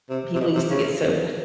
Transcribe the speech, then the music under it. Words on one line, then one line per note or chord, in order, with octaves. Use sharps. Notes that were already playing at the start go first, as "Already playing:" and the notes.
People used to get so frust
C3
C3
B2
C3
C#3